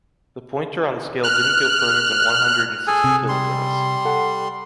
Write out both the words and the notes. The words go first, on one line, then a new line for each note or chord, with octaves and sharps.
The pointer on the scale didn’t go further than one hundred and sixty kilograms.
F6 F#6
G#4 A4 G#5
C3
G3 C6
A4 F#5